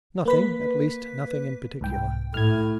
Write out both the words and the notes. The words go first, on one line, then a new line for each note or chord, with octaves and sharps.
'Nothing, at least nothing in particular.
A#3 B4 B6
C2 G#2 G5
A2 F6 G#6